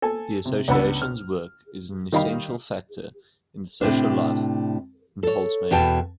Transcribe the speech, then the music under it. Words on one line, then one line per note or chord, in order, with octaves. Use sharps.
The association's work is an essential factor in the social life in Holzmaden.
A4 G#5 A5
C3
C#2 B3 D4 F#5 B5 E6
F6
D#3 G3 D#5 F5 G5 B5
A2 C3 D4
A4 C#5
E2 B2 G5 A5